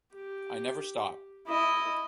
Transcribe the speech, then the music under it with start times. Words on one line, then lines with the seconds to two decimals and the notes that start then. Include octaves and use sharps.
I never stop.
0.14 G4
1.47 E4 D#5